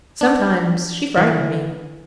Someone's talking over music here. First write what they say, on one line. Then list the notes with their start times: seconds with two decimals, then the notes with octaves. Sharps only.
Sometimes she frightened me.
0.21 D4
1.17 E3